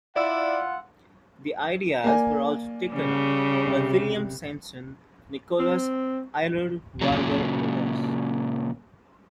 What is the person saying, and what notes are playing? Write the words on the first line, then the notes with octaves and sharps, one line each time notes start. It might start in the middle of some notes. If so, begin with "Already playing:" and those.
The ideas were also taken up by William Swainson, Nicholas Aylward Vigors, and others.
E4 F4 D5 F#5 E6
A#3 D5 G#5
C#3 G3
C2
C4
A#2 C#3 F#3